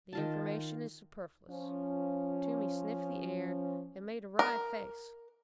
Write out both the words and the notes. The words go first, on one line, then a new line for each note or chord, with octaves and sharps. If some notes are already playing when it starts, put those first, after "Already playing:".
"The information is superfluous." Toomey sniffed the air and made a wry face.
D#3 F4 A5
F3 C#4
A#4